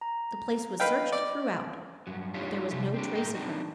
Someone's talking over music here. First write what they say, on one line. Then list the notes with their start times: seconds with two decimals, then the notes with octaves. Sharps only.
The place was searched throughout, but there was no trace of her.
0.01 A#5
0.80 B4 D#5 F5 G5
1.12 D5
2.07 G2 F#3
2.34 D4 D#4 F4 G4 C#5
2.71 C3 F3 G3 A3
2.94 C4 D4 G4
3.15 A2 A#4 G5
3.35 C4 D4 D#4 F#4